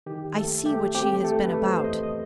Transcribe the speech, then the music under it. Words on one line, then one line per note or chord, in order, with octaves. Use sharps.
I see what she has been about.
D#3 G4
A3 A4
A3 G4
C4 G4
A3 A4
B4
A3
C5
C5
E2 D#5
D#5